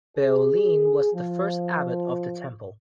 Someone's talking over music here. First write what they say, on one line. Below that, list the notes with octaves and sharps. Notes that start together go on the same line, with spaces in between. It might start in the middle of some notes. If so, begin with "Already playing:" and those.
Beow Lean was the first Abbot of the temple.
G#4
F3